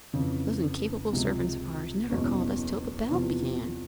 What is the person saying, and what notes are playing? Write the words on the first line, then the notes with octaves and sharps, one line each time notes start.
Those incapable servants of ours never called us till the bell began.
F2 C#3 E3
C#2 C3 F3 G#3
F#1 E2 B2 G#3 C#4
E2 C3 F3